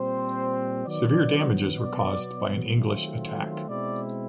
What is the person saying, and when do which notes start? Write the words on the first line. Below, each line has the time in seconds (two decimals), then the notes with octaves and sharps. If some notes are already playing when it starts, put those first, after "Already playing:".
Severe damages were caused by an English attack.
Already playing: A#2 G3 C4 C5
0.85 D#3 F#3 B3 D5
1.78 B2 F#3 B3 D5
2.73 D#3 F#3 A3 C4 F4
3.66 B2 G#3 C4 E4 D5